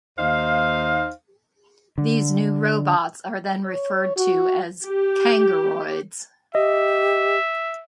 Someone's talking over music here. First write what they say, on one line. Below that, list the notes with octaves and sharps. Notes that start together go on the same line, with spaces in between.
These new robots are then referred to as 'kangoroids'.
D#2 D#4 C5 F5
D3
C#5
F#4
G4
G4 D#5 E5